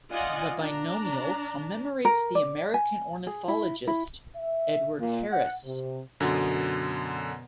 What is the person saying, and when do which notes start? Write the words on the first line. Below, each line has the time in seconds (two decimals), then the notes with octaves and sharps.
The binomial commemorates the American ornithologist Edward Harris.
0.11 F4 D5 D#5 F#5 G#5
0.60 D4 A#5
2.05 A#4
2.35 D5
2.74 G#5
3.27 G#4
3.48 E4
3.87 E4
4.35 E5
4.99 A#2
5.31 F#5
5.64 C3
6.20 F#2 B2 D3 F#5 C#6